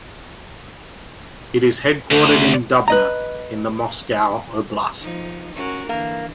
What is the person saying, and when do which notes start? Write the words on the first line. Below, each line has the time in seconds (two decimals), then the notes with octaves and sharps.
It is headquartered in Dubna in the Moscow Oblast.
2.11 D2
2.88 B4 D#5 A#5
5.00 F3 D#4
5.54 C#4 F#4 A#4
5.89 D3 E3 A#3